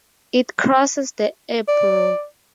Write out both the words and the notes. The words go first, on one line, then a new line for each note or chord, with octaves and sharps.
It crosses the Ebro.
D5